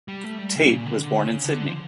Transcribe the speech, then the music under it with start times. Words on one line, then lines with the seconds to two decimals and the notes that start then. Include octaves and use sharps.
Tate was born in Sydney.
0.08 G3
0.24 A3
0.39 G3
0.56 C#3
0.71 A#2
0.86 D3
1.03 D3
1.23 C#3
1.44 D3
1.66 F3